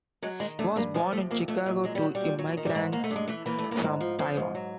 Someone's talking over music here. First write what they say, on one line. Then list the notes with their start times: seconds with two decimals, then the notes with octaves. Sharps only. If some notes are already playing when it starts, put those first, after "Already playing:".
He was born in Chicago to immigrants from Taiwan.
0.22 F#3 G#3
0.40 D#3 G#3
0.59 G2 A3
0.76 G2 A#3
0.94 F3 G#3
1.12 C3 A3
1.31 F2 A#3
1.48 F2 A3
1.66 A#2 G#3
1.84 F#3 G#3
1.95 G3
2.02 F#3
2.15 G3
2.21 A#2
2.39 F#3
2.57 D#3
2.65 G3
2.75 G#2 G#3
2.92 G#2 A#3
3.04 A3
3.10 G2
3.16 G#3
3.28 E3 A3
3.46 E3 A#3
3.58 A3
3.64 G2
3.71 A#3
3.83 G#2
4.00 F3
4.19 F3 C4
4.36 G#2
4.55 F#3